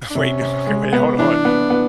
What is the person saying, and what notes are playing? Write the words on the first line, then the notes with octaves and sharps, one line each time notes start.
Wait. Okay, wait, hold on hold on,
D4
C3 C#4
C3
G#3
B3
E3 D4
B3
B3